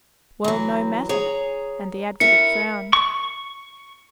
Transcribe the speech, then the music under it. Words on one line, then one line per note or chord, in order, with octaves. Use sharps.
"Well, no matter," and the advocate frowned.
E3 F#3
G#4 C#5 A#5
E4 A#4 E5 C#7
C#6